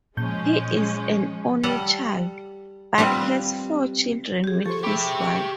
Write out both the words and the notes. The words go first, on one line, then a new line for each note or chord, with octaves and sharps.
He is an only child, but has four children with his wife.
A#2 F3 G#3 C#4 G6
G3 A4 F#5
G3 B3 C4 F4
G4 G#4
F3 A4 C5 C#6
G4 G#4 E5 B5 D6